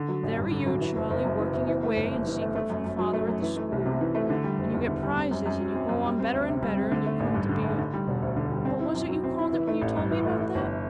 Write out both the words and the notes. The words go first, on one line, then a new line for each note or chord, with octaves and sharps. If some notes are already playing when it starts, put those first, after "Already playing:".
'There are you, Charley, working your way, in secret from father, at the school; and you get prizes; and you go on better and better; and you come to be a--what was it you called it when you told me about that?'
Already playing: D3
F#3
A1
G2
D3
F#3
E3
F#1
F#1
F#2
E3
F#1
E3
A3
G1
G2
E3
A3
A3
F#2
F#2
F#3
A3
F#2
E3
A3
C2
C3
E3
A3
D3
G3
F#1
E2
D3
G3
C4
F#2
F#2
F#3
C4
F#2
G3
C4
D2
C3
G3
C4
D3
A3
A1
G2
D3
A3
D3
G3
E1
D2
D3
G3
C4
E4
F#2
F#3
C4
E4
E3
A3
A1
G2
E3
A3
E3
G1